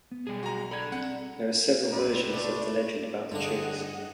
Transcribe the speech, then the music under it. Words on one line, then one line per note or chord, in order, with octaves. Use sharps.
There are several versions of the legend about the trees.
B3
B1 G3 G#4
F#4 A#5
A4 D5 B5 G#6
C4 F#5
C2 C4 B4 D5
A3 D4 D5
G2 D3 D4 G#4 D#5 F#5